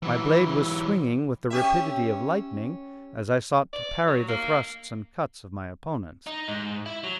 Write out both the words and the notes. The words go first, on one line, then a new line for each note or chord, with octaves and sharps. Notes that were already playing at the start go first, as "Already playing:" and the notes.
My blade was swinging with the rapidity of lightning as I sought to parry the thrusts and cuts of my opponents.
E3 F#3
C#4 G4 E5
D5
F#3
A#3
D#4
G#2
E4
F#3